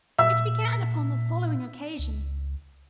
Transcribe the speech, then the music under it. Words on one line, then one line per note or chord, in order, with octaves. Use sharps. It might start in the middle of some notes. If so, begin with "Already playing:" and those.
It began upon the following occasion.
A#2 E5 E6
C#2